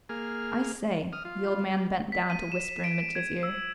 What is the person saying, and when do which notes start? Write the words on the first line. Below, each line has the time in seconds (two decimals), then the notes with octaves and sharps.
"I say," the old man bent down to whisper in Mitya's ear.
0.09 A#3 G#4 F6
1.13 D#6 F6
1.25 F4
1.74 G3
2.12 B6
2.30 D#7
2.52 E7
2.84 D7
3.15 G#6
3.43 E6